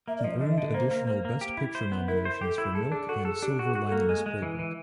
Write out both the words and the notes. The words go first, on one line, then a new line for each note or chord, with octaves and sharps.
He earned additional Best Picture nominations for "Milk" and "Silver Linings Playbook".
A#3 E5
D5
F3 D#5
D3 D#5
E5
D3 D#5
A#3 C5
A#3
A#3
A#3
G4
E4
C5
B3
E4 A#4
C5
G4 A4
E4
G#4 A4
D4 G#4
F#4 A4
G#4 A4
D4 G4
F#4
G#4
F#4
A4
A#3
G#3
G#3
E3
E3